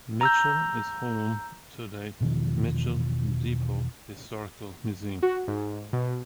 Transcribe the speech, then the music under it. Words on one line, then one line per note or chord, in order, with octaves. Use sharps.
Mitchell is home to the Mitchell Depot Historical Museum.
A#5 E6 G6
E1 B2 D#3 F3
F#4
G#2
B2